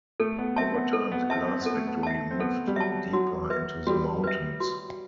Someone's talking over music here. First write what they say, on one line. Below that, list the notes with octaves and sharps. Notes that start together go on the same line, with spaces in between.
Over time the glass factory moved deeper into the mountains.
A3 A4
B3
C4 E5 A5
B3
A4
B3
C4 E5 A5
C4
B3 A4
A3
B3
E5 A5
C4
B3 A4
G3
F#3 E5 A5
F#3 F#4
B4 E5
G3 F#4
B4 E5
F#4